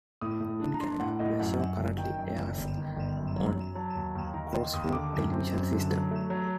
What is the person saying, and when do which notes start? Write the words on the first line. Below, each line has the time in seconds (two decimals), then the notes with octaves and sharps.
In Canada, the show currently airs on Crossroads Television System.
0.21 A2 D#6
0.40 A2
0.61 D4
0.74 A#5
0.80 D4 C6
1.00 A2 F#5
1.19 A2 D#5
1.39 F#2 F#5
1.59 F#2
1.78 F#1
1.98 D#3 G5
2.17 F#2
2.38 F#1
2.58 G1
2.77 D#3
2.96 G1
3.17 F#2
3.36 F#3
3.55 F#3
3.75 F#3 A5
3.95 D#2
4.15 D#2
4.34 D#3 A#5
4.53 D#3 C6
4.73 D#2 D#6
4.93 D3 D6
5.13 F#2
5.32 C4
5.52 F#2
5.72 D3
5.91 F#3
6.11 A3
6.30 F#3